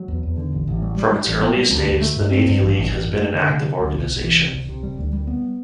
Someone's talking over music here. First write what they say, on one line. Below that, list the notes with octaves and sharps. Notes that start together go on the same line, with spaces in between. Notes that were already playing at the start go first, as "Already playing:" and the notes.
From its earliest days, the Navy League has been an active organization.
Already playing: F#3
E2
E2
D3
A1
A1
G3
G3
G3
A1
B3
G3
D2
D2
A3
G2
C4
G2
A1
A1
A1
F#2
A3
D3
C3
F#3
D2
B1
B1
E3
C3
C2
C3
G3
D2
G3
B3